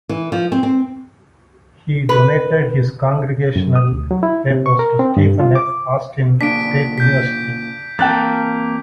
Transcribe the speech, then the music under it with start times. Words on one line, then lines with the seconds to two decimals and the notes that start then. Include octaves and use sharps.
He donated his congressional papers to Stephen F. Austin State University.
0.09 E3
0.32 F3
0.52 C4
0.63 C4
2.09 B4
3.56 F#2
3.76 D#6
3.92 D2
4.11 F#3
4.23 E4
4.51 C3
4.66 C#6
4.79 A#4
4.99 C4
5.17 G2
5.40 F4
5.55 D6
6.41 A#2 C#3 D4 B6 D7
6.98 G6 B6
7.99 E3 A#3 C4 G5 A5 F#6 A6